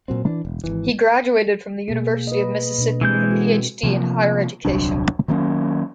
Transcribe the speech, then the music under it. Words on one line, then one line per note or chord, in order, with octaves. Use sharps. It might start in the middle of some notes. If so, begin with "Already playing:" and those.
He graduated from the University of Mississippi with a PhD in higher education.
A#2 F#3 C4
E3 D4
E1
G#1 F2 E3
B2 A#3 G#4
B4 D#5
B2 D4
E3 G#3 C4 G6
F#4 A4
C3 F3 A#3
D#1 C2 F#3 D4
D#3 F#3 A#3 C#4